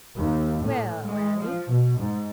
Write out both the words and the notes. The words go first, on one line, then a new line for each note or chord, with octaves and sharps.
"Well, Annie?"
D#2
A2
G#3
F3
B2
G#2